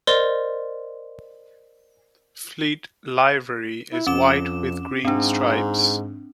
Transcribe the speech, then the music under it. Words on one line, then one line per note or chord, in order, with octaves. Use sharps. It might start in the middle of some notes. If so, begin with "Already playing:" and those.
Fleet livery is white with green stripes.
A#4 C5 D5 D#5 C6
E4
F2 C#4 D6 E7
G#2 C4 D4